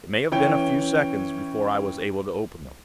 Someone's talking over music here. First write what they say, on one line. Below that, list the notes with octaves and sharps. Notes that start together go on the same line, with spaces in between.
It may have been a few seconds before I was able to open them.
E3 C#4 G5